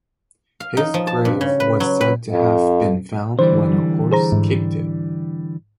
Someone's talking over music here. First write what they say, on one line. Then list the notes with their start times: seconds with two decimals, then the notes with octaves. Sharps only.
His grave was said to have been found when a horse kicked it.
0.60 F5
0.77 D#4
0.94 F3
1.07 A5
1.25 G2
1.41 C#3
1.60 B4
1.80 F#3
2.01 B4
2.31 F2
3.39 D3 E3 G3 C5
4.12 G#4 C5 A#5
4.32 G#2